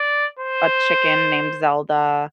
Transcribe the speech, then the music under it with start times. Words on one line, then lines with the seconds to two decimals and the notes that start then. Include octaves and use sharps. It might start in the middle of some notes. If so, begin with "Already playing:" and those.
a chicken named Zelda,
Already playing: D5
0.39 C5